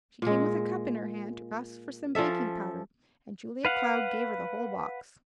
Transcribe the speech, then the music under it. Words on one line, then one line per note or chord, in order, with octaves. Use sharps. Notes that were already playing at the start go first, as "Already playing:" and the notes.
She came with a cup in her hand to ask for some baking-powder, and Julia Cloud gave her the whole box.
A#2 G#3
F3 C#4 A4 E5
B4 F5 F#5